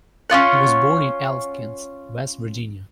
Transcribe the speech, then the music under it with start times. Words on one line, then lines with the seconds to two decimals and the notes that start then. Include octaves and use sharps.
He was born in Elkins, West Virginia.
0.30 C#4 D#4 F4 F#5